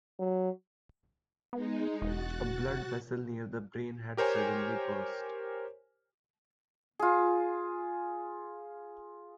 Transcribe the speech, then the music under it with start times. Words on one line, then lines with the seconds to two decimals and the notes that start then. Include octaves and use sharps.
A blood-vessel near the brain had suddenly burst.
0.19 F#3
1.53 G#3 B3 D#4
2.02 E1 F#4 F#6 A6
4.17 G4 A#4 C5 C#5 G#5
6.99 F4 G#4